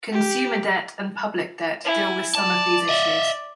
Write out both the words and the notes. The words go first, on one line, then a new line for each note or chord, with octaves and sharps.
Consumer debt and public debt deal with some of these issues.
G4
E4 G#5
D5 A5
D#5 E5